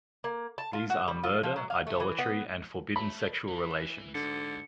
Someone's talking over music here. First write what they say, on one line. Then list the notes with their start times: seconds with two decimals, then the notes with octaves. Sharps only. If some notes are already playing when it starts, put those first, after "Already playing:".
These are murder, idolatry, and forbidden sexual relations.
0.24 A#3
0.58 A5
0.73 F4
0.90 F#4
1.08 G3
1.24 F4
1.43 F3
1.56 F#3
1.70 F5
1.87 A3
2.00 E3
2.19 B3
2.96 A3 B5
3.48 E3
4.14 G#2 D3 C#7